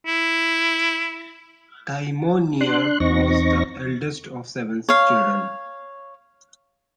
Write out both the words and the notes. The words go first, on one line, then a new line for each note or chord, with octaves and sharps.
Thimonnier was the eldest of seven children.
E4
D4 C6 F#6
E2 C4 D#4 C#6 A#6
C#5 F5